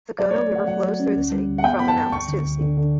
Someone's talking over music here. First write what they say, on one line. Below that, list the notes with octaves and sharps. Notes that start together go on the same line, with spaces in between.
The Gono River flows through the city, from the mountains to the sea.
F#3 D5
A3 C#5
A3 F#5
F#3 F#5
F#3
C#4
D2
G3
D2
F#5
B3 G5
B3 B5
A5
G2
D2 C#6
D3
D2
D3
D3